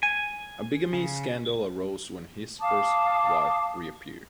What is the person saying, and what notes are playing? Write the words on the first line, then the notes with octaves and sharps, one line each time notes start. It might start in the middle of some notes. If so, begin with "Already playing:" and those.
A bigamy scandal arose when his first wife reappeared.
G#5
C#3
F5 A5 D6 D#6